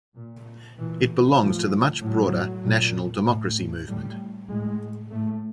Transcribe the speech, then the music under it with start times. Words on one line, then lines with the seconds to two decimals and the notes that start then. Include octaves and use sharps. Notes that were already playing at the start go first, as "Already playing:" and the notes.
It belongs to the much broader National Democracy Movement.
0.16 A#2
0.77 A#2 E3
1.39 A2 F3
2.01 A2 F#3
2.64 A#2
3.26 A2
3.87 A2 G3
4.49 A2 G#3
5.11 A2 A3